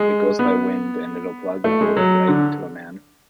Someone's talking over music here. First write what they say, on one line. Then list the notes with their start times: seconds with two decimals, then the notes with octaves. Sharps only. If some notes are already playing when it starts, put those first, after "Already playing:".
It goes by wind and it'll plug a bullet right into a man.
Already playing: G#3
0.39 B3
1.64 A3
1.81 G#3
1.97 F#3
2.28 D3